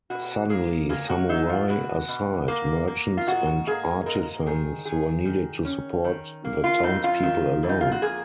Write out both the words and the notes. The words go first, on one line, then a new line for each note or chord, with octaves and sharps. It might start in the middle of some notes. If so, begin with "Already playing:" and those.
Suddenly, samurai aside, merchants and artisans were needed to support the townspeople alone.
B2 F#4
A#3 G#4
A#3 G#4
F#4
F#3 D#4
F4
B2 F#4
B2
A#3
A#3
F4
G#2 F#4
A#3 G#4
G#2 A#4
D#3 G#4
D#3 G#4
D#3
C#4
D#3
A#3
F4
F2 D#4
F4
D#3
F2
D#4
F4
F#4
A#3 G#4